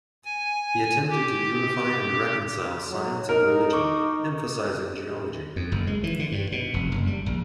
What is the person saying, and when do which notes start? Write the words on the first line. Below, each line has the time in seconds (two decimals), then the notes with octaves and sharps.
He attempted to unify and reconcile science and religion, emphasizing geology.
0.25 G#5
1.10 G4
2.90 F#3
3.29 D#4 A#4
3.72 A#5 C#6 D6
5.56 F2
5.72 F#1
5.87 G#3
6.04 E3
6.19 D3
6.32 G2
6.52 B2
6.74 F1
6.92 F#1
7.07 G3
7.26 A#1